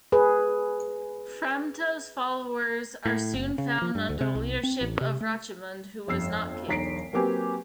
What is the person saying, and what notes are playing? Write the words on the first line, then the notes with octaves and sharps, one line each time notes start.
Framta's followers are soon found under the leadership of Rechimund, who was not king.
G#4 B4
A2
F#1
C#3
F3
G2
D2
C3
C2
C4
A1
C3
A3
G1 F2 E6 C7
E1 B1 A#5 B6 C7 D7
F#3 A#3 C4 G4 B4 G#5